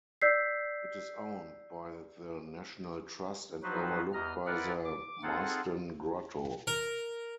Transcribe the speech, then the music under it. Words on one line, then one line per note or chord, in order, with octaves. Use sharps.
It is owned by the National Trust and overlooked by the Marsden Grotto.
D5 E6 G6 B6 C7
F3 F#3 D#4 F#4 B4 C5
E2 D#5 A#5 F6
E4 F4 A#4 B4 D5 F#5
D6
C4 D#4 F4 G#4 A4 F#5
A#4